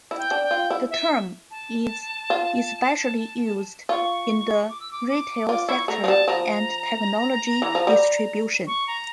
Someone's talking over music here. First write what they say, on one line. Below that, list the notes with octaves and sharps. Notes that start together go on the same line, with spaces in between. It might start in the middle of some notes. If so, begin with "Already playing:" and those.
The term is especially used in the retail sector and technology distribution.
E4
G5
D4
G5
F4
E4
E5
A5
F4
F4 C#6
D6
E6
D6
D6
F4 D6
E4 C#6
A3 A#5
F3
G3 A5
F3 A#5
E3
F3
G3
C#6
A#5